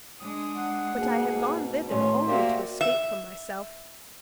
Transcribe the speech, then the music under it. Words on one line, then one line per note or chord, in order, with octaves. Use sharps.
But I have gone thither only to escape from myself.
G#3 D4 D#6
F#5
G#2 B2 A#3 G#4
A2 D#3 C#4 C6
A#3 F#4 G4 C5 D5 E5
E5